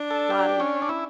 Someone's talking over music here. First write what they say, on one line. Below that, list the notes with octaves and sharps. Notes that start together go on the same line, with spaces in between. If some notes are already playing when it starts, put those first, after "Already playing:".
plot of,
Already playing: D4
A4
G4
C#4
D4
E4